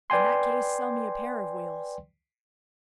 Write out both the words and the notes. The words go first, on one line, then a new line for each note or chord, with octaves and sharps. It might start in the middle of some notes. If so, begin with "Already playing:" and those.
"In that case, sell me a pair of wheels."
B4 D5 G5 G#5 C6